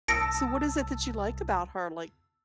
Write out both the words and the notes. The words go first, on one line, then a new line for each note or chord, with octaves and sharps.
So what is it that you like about her? Like,
C2 A5 D#6 E6 A#6 C#7 D7